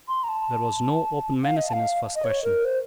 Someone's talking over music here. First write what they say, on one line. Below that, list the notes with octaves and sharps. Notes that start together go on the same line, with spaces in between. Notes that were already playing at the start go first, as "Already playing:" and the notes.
There was no open menace in his first question.
C6
A#5
A5
F5
D#5
A5
F5
D#5
C#5
A#4
C5